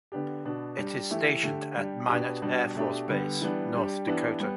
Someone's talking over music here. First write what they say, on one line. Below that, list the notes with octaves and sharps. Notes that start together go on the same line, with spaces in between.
It is stationed at Minot Air Force Base, North Dakota.
D3 B3 D4 G4
B2 B3 D4
G3 D4 G4
E3 A3 E4 G4
D3 A3 G4
G3 D4 G4
B2 B3 D4 G4
B2 G3 D4
B2 A3 D4 G4
D3 G3 B3
E3 G3 B3 D4
G3 D4 G4
E3 B3 D4 G4
G3 B3